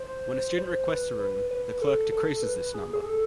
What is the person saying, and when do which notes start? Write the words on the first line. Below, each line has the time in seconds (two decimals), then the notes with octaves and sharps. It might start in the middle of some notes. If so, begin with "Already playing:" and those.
When a student requests a room, the clerk decreases this number.
Already playing: C5
0.58 C5
0.89 B4
1.19 B4
1.51 B4
1.82 A4
2.12 A4
2.43 B4
2.74 G#4
2.93 G#4
3.05 A4